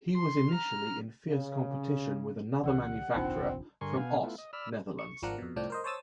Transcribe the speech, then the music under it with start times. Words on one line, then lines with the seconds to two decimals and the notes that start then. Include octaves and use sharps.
He was initially in fierce competition with another manufacturer from Oss, Netherlands.
0.15 C6
0.51 A#5 F6
1.27 C#3
2.64 C2 D3 E3 G4 A#4 D5 F#5
3.15 F1 A#1 D#2 C4 D4 D#4 F4
3.81 G2 D3 A#4 G#5 C6 C#6
3.97 B2 B3 F5 G#5
4.23 A3 B3 E4 F4
4.38 D#5
4.53 D5 B5 E6 F6
4.99 C#6
5.22 G#1 F3 D4 A#4 F#5
5.38 F2 B2
5.56 C2 A2 F3 D4 G5
5.70 A#4 C5 D#5
5.84 C5 C#5 A5 D#6 E6 A6